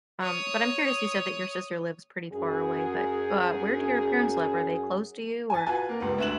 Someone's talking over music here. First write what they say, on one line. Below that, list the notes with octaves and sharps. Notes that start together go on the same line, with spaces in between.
Um, but I'm curious you said that your sister lives pretty far away, but, uh, where do your parents live? Are they close to you? Or
C#5 D#6
F#2 G#4
G#5 A6
F4 F#4 B4 G#5 G#6
A#3 A#4
C#2 G3 B3
D2 E5 F#6 E7 F#7